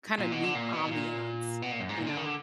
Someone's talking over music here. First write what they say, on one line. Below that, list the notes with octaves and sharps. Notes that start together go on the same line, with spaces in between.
kind of new ambiance, you know.
A#2
B2
D3
A#2
B2
A#2
B2
A#2
F#2
G#2
A#2
D3
D#3
D3